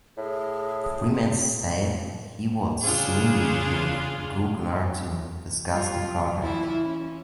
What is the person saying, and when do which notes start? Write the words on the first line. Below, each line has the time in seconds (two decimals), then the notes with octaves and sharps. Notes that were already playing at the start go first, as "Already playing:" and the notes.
Freeman said he would soon meet with Coogler to discuss the project.
0.17 A2 G#4
2.81 C#3 D4 F4 G#4
5.70 G3 F4
6.05 F#3
6.41 E3 E4 F4
6.84 C#4